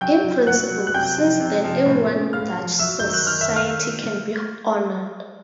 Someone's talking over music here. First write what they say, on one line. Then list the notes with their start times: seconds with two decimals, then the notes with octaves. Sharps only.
In principle, since then everyone in Dutch society can be honoured.
0.01 F#3 G5 G6
0.24 F#3
0.47 F#3 F#5 F#6
0.71 F#3
0.87 F#6
0.94 C3 G5 G6
1.17 F3
1.40 C3
1.64 F3
1.86 A2
2.10 C#4
2.33 A2 F5 F6
2.57 F3
2.79 F#3 E5 E6
2.99 D#3 G6
3.14 F#6
3.26 D#3 F6
3.41 E5 E6
3.49 D#3
3.56 F5 F6